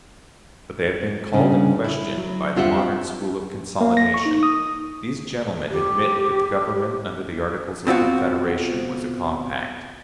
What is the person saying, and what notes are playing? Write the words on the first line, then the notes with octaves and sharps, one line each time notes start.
But they have been called in question by the modern school of consolidation. These gentlemen admit that the Government under the Articles of Confederation was a compact.
G2 C#3
E4
F#3
G2 C4 F4 G4 E5 F#5
A#3
A#6
C#6
D#4
D#6
G4
B2 C4 F4 F#4